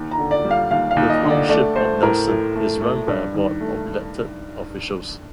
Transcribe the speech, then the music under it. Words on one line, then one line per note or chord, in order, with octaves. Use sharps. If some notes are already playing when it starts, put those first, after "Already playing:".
The Township of Nelson is run by a board of elected officials.
Already playing: D#2
A#5
D3
D5
G3
F5
D#2 F5
F5
D#2
D#5
D3
D5
A3 D5
A3 C5
A2 A#4
A2
A3
A3
G2
D#3
A3